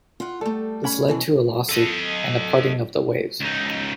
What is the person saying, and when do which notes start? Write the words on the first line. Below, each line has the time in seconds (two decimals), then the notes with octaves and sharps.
This led to a lawsuit and a parting of the ways.
0.20 F4 F#5
0.41 G3 A3 A4
0.84 C#4 C#5 B5
1.08 B2 E3 F#3
1.69 A4 D#5
3.40 C#2 D#4